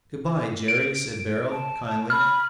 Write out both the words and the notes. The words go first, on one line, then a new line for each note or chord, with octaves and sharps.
"Good-bye, Jerry," said Beryl, kindly.
D7
A5
B5 F6